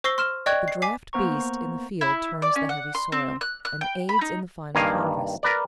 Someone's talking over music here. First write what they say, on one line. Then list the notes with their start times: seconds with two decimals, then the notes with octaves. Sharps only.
The draft-beast in the field turns the heavy soil, and aids in the final harvest.
0.04 C5 C#6 E6 A#6 C7 G7
0.18 C6 F6 E7
0.46 D5 D#5 G5 C#6 F#6 G#6
0.68 C7
0.82 G#5 D6 B6 C7
1.13 A#3 B3 C5 A#5 C#6
2.01 E4
2.42 D5
2.56 C#4
2.69 F#5
2.95 C6
3.12 C4
3.41 F#6
3.65 F#6
3.81 G5
4.09 B5
4.21 D#4
4.75 G2 D#3 A#3 F5 G#5
5.43 A#4 B4 D5